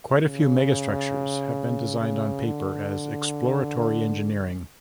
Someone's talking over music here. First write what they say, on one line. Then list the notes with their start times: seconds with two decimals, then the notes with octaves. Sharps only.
Quite a few megastructures have been designed on paper as exploratory engineering.
0.23 C#3
2.00 C#3
2.45 D3